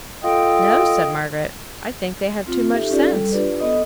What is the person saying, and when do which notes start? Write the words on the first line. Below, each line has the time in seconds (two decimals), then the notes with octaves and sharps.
'No!' said Margaret; 'I think they have too much sense.'
0.23 F4 A4 D#5 G5
2.47 C4 F4
2.73 D#4 G4 A4 E5
2.90 C#4 D#4 F4 G4 A4 D5
3.11 G3 A4
3.32 D4 F4 G4 B4 D5
3.60 B3 A4 D#5 D#6